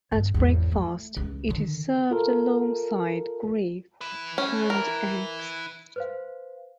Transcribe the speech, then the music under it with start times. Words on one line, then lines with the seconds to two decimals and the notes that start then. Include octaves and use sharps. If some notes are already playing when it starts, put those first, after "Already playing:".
At breakfast it is served alongside grits and eggs.
0.12 G1
0.34 G#1 E2
0.72 A3
1.17 C#2
1.48 D3 D#3
2.11 F4 A4 A#4
4.01 E4 B4
4.38 C#4
4.70 A#4
5.96 B4 C5 F5